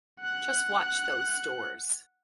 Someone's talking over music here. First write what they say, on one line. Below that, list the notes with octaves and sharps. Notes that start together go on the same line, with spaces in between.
Just watch those doors!
F#5 F#6